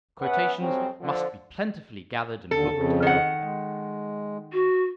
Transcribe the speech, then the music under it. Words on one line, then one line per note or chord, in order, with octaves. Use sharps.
Quotations must be plentifully gathered and booked in alphabet.
B3 C#4 B4 E5 F#5
F2 C#3 F#3 G3 C4
D3 F3
D#2 D3 A4
F2 C#3
D#3 F#5
G#3
F#4